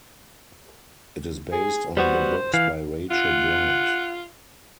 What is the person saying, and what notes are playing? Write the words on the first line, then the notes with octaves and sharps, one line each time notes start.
It is based on the books by Rachel Bright.
G#4
G3 B3 F#4 C5
E3 F5
F4 F#5